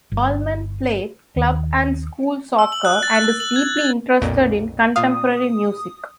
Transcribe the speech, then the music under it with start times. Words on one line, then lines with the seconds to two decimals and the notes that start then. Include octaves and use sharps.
Allman played club and school soccer and is deeply interested in contemporary music.
0.12 G1
1.36 D#2
2.59 E6
2.72 F#7
2.85 F#6
3.03 A6
3.15 F#6
3.40 F#7
3.56 G#6
3.77 A6
4.22 B1 F2 A#2
4.96 A#2 F5 D#6